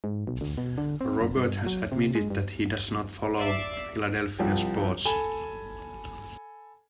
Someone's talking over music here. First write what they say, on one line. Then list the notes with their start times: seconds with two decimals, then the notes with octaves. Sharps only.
Robert has admitted that he does not follow Philadelphia sports.
0.04 G#2
0.27 B1
0.41 D2
0.57 B2
0.78 D3
1.01 C4
1.21 F#1
1.36 G2
1.66 F#3
1.92 C3
2.15 G#3
2.30 G2
3.36 D5 E5 D6 C7
4.39 C2 F3 G5
5.05 A4 G#5 B5 E7 G7